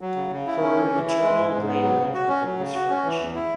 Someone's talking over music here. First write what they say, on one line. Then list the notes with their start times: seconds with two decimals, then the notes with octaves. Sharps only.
Her maternal great-grandfather was French.
0.01 F#3
0.16 C#3
0.31 C#3
0.47 E4
0.62 C#4
0.77 E3
0.92 E3
1.08 E4
1.22 G#3
1.38 G#2
1.53 G#2
1.68 B3
1.83 F#3
1.98 C#3
2.14 F#4
2.28 C#4
2.44 F#3
2.59 C#3
2.75 F#4
2.90 C#4
3.05 E3
3.20 E2
3.35 E4